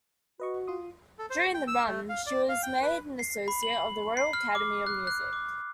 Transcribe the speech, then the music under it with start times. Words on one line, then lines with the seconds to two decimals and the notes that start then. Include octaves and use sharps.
During the run, she was made an Associate of the Royal Academy of Music.
0.40 F#4 B4 D#5 C#6
0.68 F4 C6 D#6
1.19 A4
1.30 C5
1.54 G5
1.68 E6
1.87 A3
2.09 F5
2.26 D5
2.49 F5
2.63 G5
2.82 B4
3.19 C7
3.48 B5
3.63 F#7
4.17 C7
4.33 F6
4.55 D6
4.87 F#6
5.07 F#6
5.33 D6